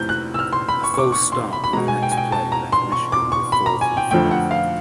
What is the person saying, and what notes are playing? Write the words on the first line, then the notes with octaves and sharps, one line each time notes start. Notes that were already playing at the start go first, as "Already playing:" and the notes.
A false start on the next play left Michigan with fourth and five.
Already playing: F2 C3 E3 A3 G6
F#6
E6
F6
C6
B5
C#6
C#6
D6
C#6
C6
B5
B5
B2 G#3 A#5
G#5
G5
G#5
G5
A5
A#5
C6
C#6
D6
C#6
B5
A#5
G#5
G5
F2 D3 F3 A3 G5
F#5
F5